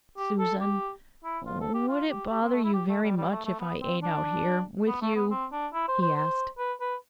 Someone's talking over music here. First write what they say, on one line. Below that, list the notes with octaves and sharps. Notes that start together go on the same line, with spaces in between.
"Susan, would it bother you very much if I ate out here--with you?" he asked.
G4
A4
G4
E4
F4
A4
G4
F4
G4
G4
C4
A3
E4
G4
A3
G3
G3
A3
A3
B3
C4
D4
B3
A3
B3
C4
D4
E4
C5
C5
C5
B4
B4